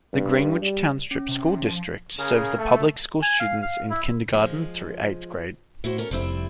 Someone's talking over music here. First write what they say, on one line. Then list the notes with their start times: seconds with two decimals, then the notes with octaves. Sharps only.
The Greenwich Township School District serves public school students in kindergarten through eighth grade.
0.13 G2
0.62 G3
1.11 C#4
1.29 C3
1.64 F3
2.19 C#3 G#4 A#4
2.59 A3 A4
3.22 G#5
3.40 F5
3.62 F5
3.90 E4
4.33 F3 G#3
5.84 A2 E4 F#4 C5
5.98 C#4 A4 A#4
6.11 F1 G3 C4 E4